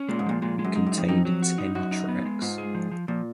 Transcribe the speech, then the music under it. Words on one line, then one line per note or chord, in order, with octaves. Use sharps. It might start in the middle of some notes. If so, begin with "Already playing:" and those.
It contained ten tracks.
Already playing: C#4
A#2 G#3
G#2
A#2 F3
A#2 G#3
G#3
F#2
G#2 D#4
F#2
D#4
F2
F2 D#4
F#3
F#4
D#4
F#2 F#4
D#4
B3
G#3
G#2 F4
G#4
F3
F3
A#2 F3